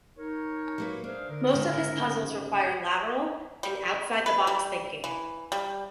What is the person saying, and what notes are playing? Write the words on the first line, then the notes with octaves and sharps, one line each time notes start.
Most of his puzzles require lateral and "outside the box" thinking.
D#4 A#4 C#5
F#3 A#3 B4
D4 G#4 C5 F5
D3 A#4
G#2 C#3
D#5 F#5
G3
B4
G3
E3
G3